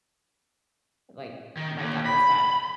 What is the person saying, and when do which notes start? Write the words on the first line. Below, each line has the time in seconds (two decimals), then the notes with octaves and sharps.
Like, my daughter's got
1.57 D#3
1.78 D#2
2.06 B5